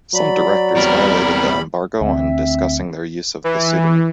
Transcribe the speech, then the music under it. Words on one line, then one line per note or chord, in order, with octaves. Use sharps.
Some directors violated the embargo on discussing their use of the pseudonym.
F#3 D5 B5
E2 C3 G3 A#4 B5
D2 C4 E5
E3